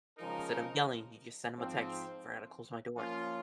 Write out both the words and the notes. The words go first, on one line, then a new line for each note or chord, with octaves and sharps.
instead of yelling, you just send 'em a text, "Forgot to close my door."
C#3 F3 G#3 D#4 A#4
G#2 F3 C4
F3 A#3 C#4 F4